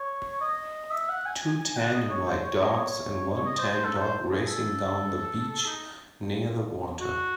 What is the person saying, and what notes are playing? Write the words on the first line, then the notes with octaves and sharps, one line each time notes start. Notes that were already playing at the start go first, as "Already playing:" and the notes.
Two tan and white dogs and one tan dog racing down the beach near the water.
Already playing: C#5
D#5
E5
F#5
G#5
G#5
G#5
F#5
D#5
C#5
C5
C#5
D#5
C#5
D#5
C5
C5
A4
C5
G#4
A4
A4
D#4
F#4